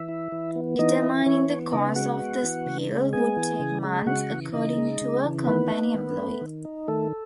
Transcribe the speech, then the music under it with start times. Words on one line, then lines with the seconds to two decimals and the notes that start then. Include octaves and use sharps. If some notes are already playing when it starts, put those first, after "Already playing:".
Determining the cause of the spill would take months, according to a company employee.
Already playing: E3 E5
0.09 E4
0.32 E3
0.56 B3
0.79 E3 D#4 D#5
1.02 E4
1.26 E3 C#4 C#5
1.49 B3
1.72 C#3 D#4 D#5
1.96 G#3 F#4 F#5
2.19 B3
2.43 E3
2.66 C#3
2.89 G#3
3.13 B3 G#4 G#5
3.36 E3
3.59 C#3
3.84 G#3
4.06 C#3 F#4 F#5
4.30 E3
4.54 C#3 D#4 D#5
4.77 G#3
5.01 C#3
5.24 E3
5.47 D#3 B3 B4
5.71 D#4
5.94 D#3
6.18 A3
6.41 D#3
6.65 D#4
6.88 D#3 A3 A4